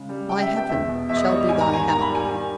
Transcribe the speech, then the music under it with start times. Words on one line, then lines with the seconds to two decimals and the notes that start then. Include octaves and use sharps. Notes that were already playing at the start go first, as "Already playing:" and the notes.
My heaven shall be thy hell.'
Already playing: C#3 G#3
0.09 G3
0.29 C#3 G5
0.42 E5
0.49 B3
0.56 G5
0.69 E2 E5
0.89 B2
1.09 E2 E5
1.17 D#5
1.24 C#5
1.29 G3 D#5
1.48 G#2 G#5
1.61 A#5
1.68 D#3
1.73 G#5
1.88 A#3 A#5
2.01 B5
2.09 G3
2.15 G#5
2.28 D#3